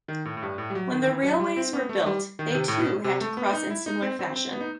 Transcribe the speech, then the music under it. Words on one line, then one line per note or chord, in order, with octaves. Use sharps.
When the railways were built, they too had to cross in similar fashion.
D#3
A2
A2
G2
A2
G3
F#3
D#3
D#3
E3
F#3
G3
C4
B3
A3
G3
D#3
D#3
C3
A2
B2
C3
A3
B3
D#4
E4
D#4
C4
C4
C4
B3
D#4